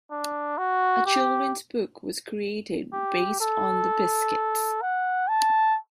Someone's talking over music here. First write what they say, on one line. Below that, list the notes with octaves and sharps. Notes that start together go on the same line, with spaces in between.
A children's book was created based on "The Biskitts".
D4
F#4
G4
G4
A4
F#5
A5